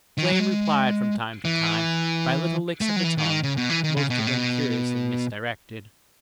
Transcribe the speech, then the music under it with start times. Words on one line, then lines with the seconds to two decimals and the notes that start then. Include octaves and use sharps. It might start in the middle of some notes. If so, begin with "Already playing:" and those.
Flame replied from time to time by little licks of the tongue, most of them curiously misdirected.
0.18 D#3
0.25 E3
0.32 F#3
0.39 G#3
1.45 E3
2.81 A3
2.89 G#3
2.96 F#3
3.04 E3
3.18 D#3
3.25 E3
3.30 D#3
3.43 C#3
3.57 B2
3.70 E3
3.83 D#3
3.97 C#3
4.10 B2
4.19 A2
4.27 B2